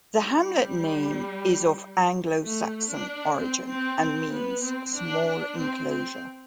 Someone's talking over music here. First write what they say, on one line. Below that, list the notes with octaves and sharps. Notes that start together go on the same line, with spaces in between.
The hamlet name is of Anglo Saxon origin, and means 'small enclosure'.
G3
A3
D4
C4
C4
C4
B3
C4
D4
D4
C4
C4